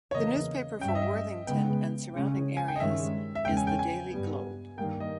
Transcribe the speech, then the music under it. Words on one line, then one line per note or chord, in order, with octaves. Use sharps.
The newspaper for Worthington and surrounding areas is the Daily Globe.
C#5
E2 C#3 E3 A#3 D#5
G2 G3 C#4 G5
E5
D#5
E5
C#3 G#3 B3 G5
C#3 G#3 C#4
G#5
G5
D#5
G2 D#3 G#3 C#4 E5
E5
E2 C#3 G#3 C#4 G5
G#5
G5
G#5
G2 G3 B3
G2 D#3 G3 A#3 G5
D#5